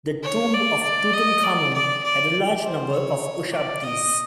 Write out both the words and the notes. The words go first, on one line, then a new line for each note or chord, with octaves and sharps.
The tomb of Tutankhamun had a large number of ushabtis.
C#5
D5
D5
D#5
D5
D5
D5
C5
C#5
D5
D#5